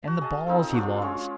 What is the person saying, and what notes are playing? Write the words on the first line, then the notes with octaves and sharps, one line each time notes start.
And the balls he lost!
F#4 A5
G#4 D#5 F5 A5
C4 D#4 F4 A4
F#3 D4 F4
G#3 C#4 C#5